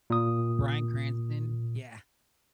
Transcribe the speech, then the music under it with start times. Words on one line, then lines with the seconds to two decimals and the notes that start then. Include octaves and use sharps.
Bryan Cranston? Yeah,
0.10 A#2 D#6